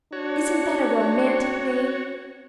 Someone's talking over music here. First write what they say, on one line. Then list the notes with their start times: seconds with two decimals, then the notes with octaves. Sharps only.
Isn't that a romantic name?
0.12 D4 F#4 C#5